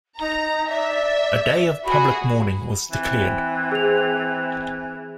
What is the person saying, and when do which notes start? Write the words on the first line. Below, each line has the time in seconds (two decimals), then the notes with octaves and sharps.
A day of public mourning was declared.
0.19 D#4 A#5
0.68 D5 E5
1.84 F#4 G#4 B5
2.91 E3 C4
3.72 G#4 F7